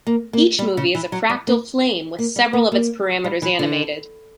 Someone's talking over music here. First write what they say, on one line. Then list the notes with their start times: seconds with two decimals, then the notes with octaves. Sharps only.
Each movie is a fractal flame with several of its parameters animated.
0.07 A#3
0.33 A#3
0.59 G3
0.77 C#3
0.95 E3
1.12 F#3
1.29 G3
1.47 A#3
2.19 A#3
2.36 G3
2.53 A#3
2.72 A#3
3.24 G3
3.42 E3
3.59 D3